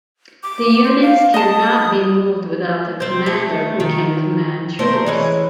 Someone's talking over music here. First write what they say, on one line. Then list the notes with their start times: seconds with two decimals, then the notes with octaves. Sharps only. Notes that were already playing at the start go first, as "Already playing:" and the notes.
The units cannot be moved without a commander who can command troops.
0.43 D6
0.84 C5
1.02 F5
1.34 D#5 A5 D#6
3.00 C4 C5
3.26 A3
3.80 D#3
4.79 A3 A#4 C5 D5
5.06 E3 G#3 C#4